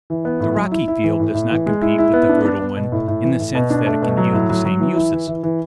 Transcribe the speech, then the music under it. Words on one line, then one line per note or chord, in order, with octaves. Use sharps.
The rocky field does not compete with the fertile one in the sense that it can yield the same uses.
E3
B3
A2
F#3
E4
E4
E3
A2
A2
E3
G#3
E4
E4
B3
D4
D4
B3
B2
A2
A2
E3
A2
B2
D4
A3
B2
F#3
A2
F#3
F#3
E3
E4
E3
E3
E3